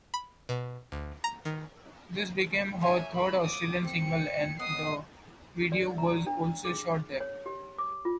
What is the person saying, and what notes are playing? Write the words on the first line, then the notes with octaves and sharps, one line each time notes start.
This became her third Australian single, and the video was also shot there.
B5
B2
D2
A#5
D#3
A#2 C#5 E5 G#5
B5
D6 D#6
C4 C#7
B3 D#5 D#6 C7
D5
A#5
D4
G#4
C#5
G4
D6
F4